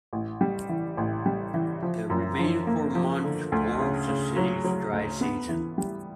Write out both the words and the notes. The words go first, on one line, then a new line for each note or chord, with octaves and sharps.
The remaining four months forms the city's dry season.
A1
G3
E3
A1
G3
E3
F3
F#2
F3
A#3
F3
D3
D2
C#3
C#3
F#3
F#3
D2
B3
E3
G3